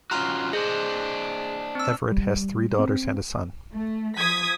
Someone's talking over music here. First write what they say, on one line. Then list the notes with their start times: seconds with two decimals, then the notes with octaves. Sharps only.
Everitt has three daughters and a son.
0.11 C#4 F4 F#4 A#5 C6 F6
0.53 D4 G#4 C5 D#5 C6
1.75 C4 E6
2.12 G3
2.79 C4
3.73 A3
4.18 F3 D#6 G#6 B6